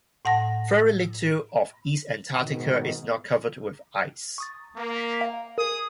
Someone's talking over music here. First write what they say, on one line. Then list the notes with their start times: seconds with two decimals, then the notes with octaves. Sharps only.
Very little of East Antarctica is not covered with ice.
0.25 A2 F#5 A5 A#6
2.31 G#2 B2 D#3
4.38 C#6 D#6 A6
4.76 A#3
5.21 F5
5.58 G#4 A#4 D#6